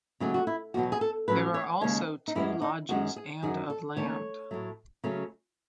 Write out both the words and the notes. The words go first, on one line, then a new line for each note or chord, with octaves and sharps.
There are also two lodges, and of land.
D#2 C#3 F#3 A3 G#4
F#4
E4
E2 B2 F#3 F#4
G#4
A4
A2 F#3 C#4 B4
C#5
D#2 C#3 G#3 C#4 C#5
D#4
F#2 E3 G#3 C#4 E4
D#4
F#2 D#3 G#3 C#4 F#4
G#4
F#2 D#3 F#3 G#4
A4
D#2 D#3 A3 C#4 C#5
A2 F#3 A3
C#3 F#3 A3 C#4